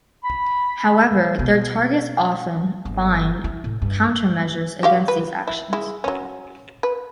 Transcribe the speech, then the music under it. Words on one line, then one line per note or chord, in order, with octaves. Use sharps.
However, their targets often find countermeasures against these actions.
B5
B2
G1
E4
A2
G2
F#4 G4 F5
B4
E4
G#3 E4
F#3 C#4
B4